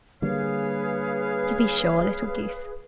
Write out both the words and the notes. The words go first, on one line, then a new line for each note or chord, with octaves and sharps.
'To be sure, little goose.
D3 G3 A#3 G#4 B4 C#5 F5